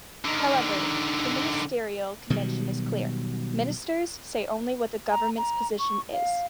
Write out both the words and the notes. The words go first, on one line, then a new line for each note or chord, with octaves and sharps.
However, the ministerial convention is clear: Ministers say only what the Government's position is.
D3 D#3
B2 D#3 F#3 G3
A#5
A#5
C#6
F5